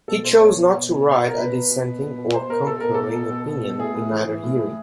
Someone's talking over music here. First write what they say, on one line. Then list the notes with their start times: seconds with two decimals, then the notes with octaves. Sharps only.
He chose not to write a dissenting or concurring opinion, in either hearing.
0.08 B2 A4
0.24 B2 C5
0.40 B2 C#5
0.56 B2
0.72 B2
0.90 B2
1.05 B2
1.21 B2
1.28 A#4
1.38 B2 B4
1.53 B2
1.70 B2
1.86 B2
2.01 B2
2.18 B2
2.34 B2 C5
2.50 B2 A#4
2.67 B2 A4
2.81 B2 A#4
2.94 B2 A4
3.14 B2
3.31 B2
3.47 B2
3.63 B2
3.79 A2 G#4
3.95 A2
4.11 E3
4.28 E3
4.43 A2
4.59 A2